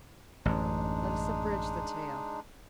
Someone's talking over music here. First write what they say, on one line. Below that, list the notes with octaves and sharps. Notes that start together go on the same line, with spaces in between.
Let us abridge the tale.
A1 F#2 G#3 D4 D#4